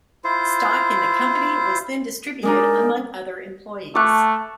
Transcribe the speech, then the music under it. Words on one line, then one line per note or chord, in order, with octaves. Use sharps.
Stock in the company was then distributed among other employees.
E4 F4 C5
G#3 D4 D#4 A#4
A3 A5 C#6 D6 F#6